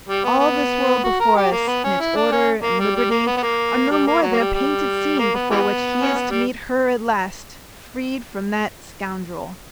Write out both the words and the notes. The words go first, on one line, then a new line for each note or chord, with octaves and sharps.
All this world before us, and its order and liberty, are no more than a painted scene before which he is to meet Her at last, freed from "that scoundrel."
G3
B3
B3
F#4
A#4
G4
A#3
B3
C#4
E4
D4
C#4
A#3
G3
G3
A#3
B3
B3
A#3
G3
A#3
F#3
A#3
G3
G3
A#3
B3
E3 G3 B3
C#4
B3
G3